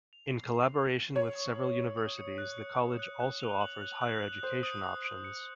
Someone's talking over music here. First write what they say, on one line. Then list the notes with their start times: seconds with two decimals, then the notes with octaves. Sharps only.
In collaboration with several universities the college also offers Higher Education options.
0.13 F7
0.33 C7
0.54 C7
0.74 F7
0.95 F7
1.15 C#5 F#7
1.35 D#6
1.56 F#7
1.76 C#7
1.97 D#6
2.18 C#7
2.38 F#6
2.58 C#7
2.79 F#6
2.99 F#6
3.20 F#6
3.40 F7
3.61 F#7
3.81 F#6
4.01 F#6
4.22 F#7
4.43 C5 D#6
4.63 D#6
4.84 D#6
5.05 D#6
5.24 C#7